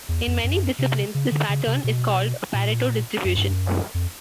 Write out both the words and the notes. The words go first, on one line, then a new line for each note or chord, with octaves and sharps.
In many disciplines this pattern is called a Pareto distribution.
E2
F2
F#2
C3
C#3
D3
C#3
C3
B2
A#2
F#2
G2
F#2
F2